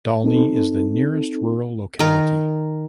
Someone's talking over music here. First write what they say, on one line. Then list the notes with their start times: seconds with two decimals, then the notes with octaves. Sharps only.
Dalny is the nearest rural locality.
0.24 C4 D#4 A4
1.99 D#3 A#4